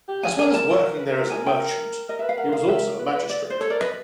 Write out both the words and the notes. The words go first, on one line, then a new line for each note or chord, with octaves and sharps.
As well as working there as a merchant, he was also a magistrate.
G4
G#4 G#5
A#4 G#5
A5
A#4
B4
A#4
A#4
G#5
A#4 G5
A#4 D#5
B4 E5
F5
A#4 F#5
F5
E5
B4
B4
D5
C5
A4 C#5
A#4 D5
B4 D#5